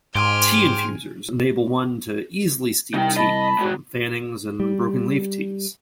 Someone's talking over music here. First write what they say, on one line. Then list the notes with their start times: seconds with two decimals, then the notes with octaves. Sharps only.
Tea infusers enable one to easily steep tea from fannings and broken leaf teas.
0.15 G#2 G4 G#5 C6 F6
2.94 C2 D#4 G5
3.16 D#5 A5 B5
3.59 G#3 F#4
4.60 G3